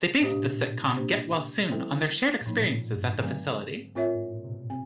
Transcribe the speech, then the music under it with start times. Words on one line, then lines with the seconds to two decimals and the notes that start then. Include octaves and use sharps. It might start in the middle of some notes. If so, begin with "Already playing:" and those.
They based the sitcom "Get Well Soon" on their shared experiences at the facility.
0.21 A2 A3 D4 G4 C5 D#5
0.32 B2
0.39 A#2
0.58 B2
0.78 C3
0.96 A#3 D4 G4 C5
1.71 E3 G3 B3 E4 A4
2.41 A#2
2.46 A2 F3 A#3 D#4
2.59 B2
2.64 A#2
2.96 G2
3.02 G#2
3.21 D3 F#3 A3 C4
3.95 A2 C4 F4 A#4 C#5 E5
4.14 G#2
4.33 A#2
4.44 C3
4.52 B2
4.70 C3 C4